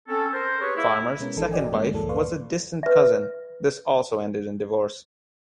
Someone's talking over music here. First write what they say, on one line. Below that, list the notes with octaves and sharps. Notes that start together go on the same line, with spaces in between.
Farmer's second wife was a distant cousin; this also ended in divorce.
C4 C#4 A4
A#4 C5
G4 G#4 B4 C#5
A#3 E4
B2 G#3 B3 C#4 A#4
G#1 E3 D#4 A4 A#4
F#4 D5 D#5 G5 G#5
G2 D3 G#3 A#3 C#4
C#2 F#2 A2 E3 A#3 A4
B4 D5 F5 C6 C#6
B4 E5